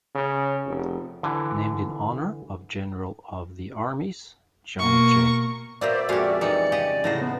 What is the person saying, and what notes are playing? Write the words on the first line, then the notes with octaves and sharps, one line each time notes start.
Named in honor of General of the Armies John J.
C#3
F1
D3 E3
B2 A#3 A#4 C#6
A#2 A#3 B3 F#4 C5 D5 E5
F2 G#3 C#4 F#4 G4 F5
E3 G3 D#4 D5 C#7
C#3 G4 D#5
A2 C#3 E3 F#3 C5 A#6
B3